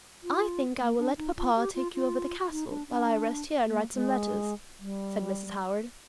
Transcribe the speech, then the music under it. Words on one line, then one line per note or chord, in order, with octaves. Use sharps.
"I think I will let papa take you over the castle, while I rest here and write some letters," said Mrs. Howard.
F4
A#3
D4
D#4
F4
G4
F4
F4
D#4
D4
D4
A#3
G#3
G3